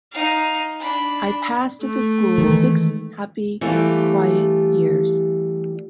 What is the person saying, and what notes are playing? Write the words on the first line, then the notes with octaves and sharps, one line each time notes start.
I passed at the school six happy, quiet years.
D#4 F5
D4 B5
A3
D#3 E3 G#3
E3 G3 A3 F4 G4